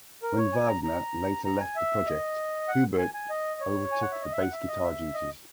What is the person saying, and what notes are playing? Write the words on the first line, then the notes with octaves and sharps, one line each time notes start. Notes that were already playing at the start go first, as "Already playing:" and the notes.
When Wagner later left the project, Hubert overtook the bass guitar duties.
A#4
C#5
G#5
A#5
A#5
A#5
G#5
E5
D#5
F#5
G#5
G#5
D#5
C#5
G#5
F#5
E5
D#5
E5
F#5
E5
D#5
E5
D#5